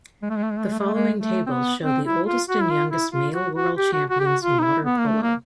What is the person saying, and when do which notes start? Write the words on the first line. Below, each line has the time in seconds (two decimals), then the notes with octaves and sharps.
The following tables show the oldest and youngest male world champions in water polo.
0.22 G#3
0.30 A3
0.37 G#3
0.43 A3
0.51 G#3
0.58 A3
0.65 G#3
0.73 A3
0.79 G#3
0.86 A3
0.94 G#3
1.19 A3
1.47 C4
1.51 B3
1.84 C4
2.06 E4
2.27 F4
2.49 F#4
2.62 E4
2.70 F4
2.91 E4
3.13 F4
3.34 F#4
3.55 F#4
3.77 G4
3.93 F#4
4.10 F#4
4.20 G4
4.26 F#4
4.42 F4
4.59 D#4
4.63 E4
4.85 B3
4.99 A#3
5.06 A3
5.22 A#3